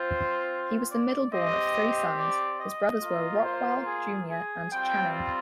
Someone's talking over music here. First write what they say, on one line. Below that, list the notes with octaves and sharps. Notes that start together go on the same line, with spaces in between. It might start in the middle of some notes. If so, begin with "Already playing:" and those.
He was the middle-born of three sons; his brothers were Rockwell, Junior and Channing.
Already playing: C4 F4 C5
D5
C4 G4 D#5
D5
D#5
A#3 F4
C5
G#4
G#4
G3 C4 F4 G5